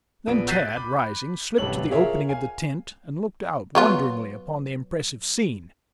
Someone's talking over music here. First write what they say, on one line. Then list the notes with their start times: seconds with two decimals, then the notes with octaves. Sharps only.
Then Tad, rising, slipped to the opening of the tent and looked out wonderingly upon the impressive scene.
0.27 A#1 B3 D7
0.48 F#6 G6 A6 B6 C7 D#7
0.76 B5 D6
1.58 A1 G2 C3 A4 C#5 F#7
1.91 F4 G#4 A#4 C#5 E5
2.29 F5 G#5
3.75 F#3 B3 F4